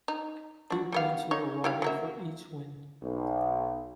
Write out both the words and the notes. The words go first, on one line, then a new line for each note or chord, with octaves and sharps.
Two points were awarded for each win.
D#4
D4 F#4
G3 B3 F5
D#4 C#5
G3 E4 F5
F#3 A#3 E5
B1